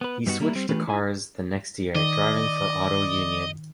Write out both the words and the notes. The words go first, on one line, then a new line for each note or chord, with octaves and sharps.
He switched to cars the next year, driving for Auto Union.
B3 B4
G2 G3 B3 D#4 F4 F#4
G3 A#3 E4
G3 C4
E3 A3 D4 F4 G4 B4
E4 G#5
D#3 D5 D#5